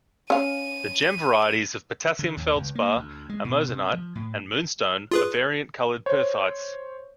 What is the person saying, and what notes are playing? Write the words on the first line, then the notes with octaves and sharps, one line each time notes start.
The gem varieties of potassium feldspar, amazonite and moonstone are variant colored perthites.
C#4 F5 D#7
D3
D#2
C#2
A#3
D2
G#3
B2
C3
F3
A2
F4 G#4 B4
C5 C#5